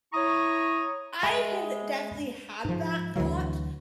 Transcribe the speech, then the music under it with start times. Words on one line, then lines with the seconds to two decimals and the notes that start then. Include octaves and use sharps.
I have definitely had that thought
0.12 E4 C#5 A#5 C#6 D#6
1.23 G#3 E5 G#5 B5
2.65 G#2 F3
3.16 D2 D3 E3 F#3